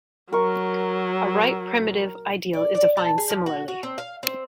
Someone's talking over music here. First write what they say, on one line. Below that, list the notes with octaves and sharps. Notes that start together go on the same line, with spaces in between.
A right primitive ideal is defined similarly.
F#3 A#4 C#6
D5
D5
A4
G#4
F3
F#4
F#4
C4
F5
C4